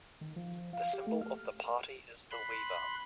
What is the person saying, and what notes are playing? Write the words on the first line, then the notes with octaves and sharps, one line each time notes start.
The symbol of the party is the weaver.
D#3
F3
F5
G4
A3
F6
B5 C6 F#6